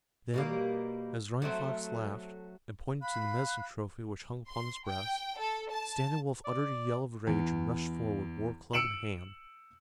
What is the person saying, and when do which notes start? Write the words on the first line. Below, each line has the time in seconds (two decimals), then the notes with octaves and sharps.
Then, as Running Fox laughed and pointed to the medicine-trophy which hung upon his breast, Standing Wolf uttered a yell of rage and rushed forward, war-club in hand.
0.34 B2 G3 A#3
1.42 F#3 A3 C4
3.02 F5 B5 F#6
4.49 C6
4.88 G5
5.39 A4
5.71 A5
6.45 D5
7.27 E2
8.73 E6 C#7 D7 E7 F#7